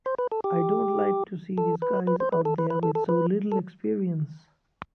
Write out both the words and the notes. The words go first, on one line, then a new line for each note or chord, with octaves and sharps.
I don't like to see these guys out there with so little experience.
C5
B4
A4
G4
A4
B4
B4
C5
B4
A4
B4
B4
A4
A4
B4
A4